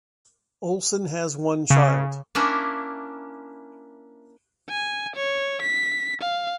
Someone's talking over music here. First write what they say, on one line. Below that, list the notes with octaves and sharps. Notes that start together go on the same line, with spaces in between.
Olson has one child.
C#3
A#3 C#4 D4 E4
G#5
C#5
B6
F5